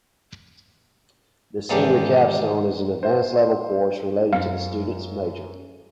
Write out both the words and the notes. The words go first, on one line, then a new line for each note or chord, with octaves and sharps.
The Senior Capstone is an advanced-level course related to the student's major.
G#2 D#3 E3 D4 G4
C5
F#2 F5